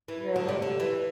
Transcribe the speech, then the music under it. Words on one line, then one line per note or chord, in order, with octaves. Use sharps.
Really? Okay.
E3
D3
C3
D3
E3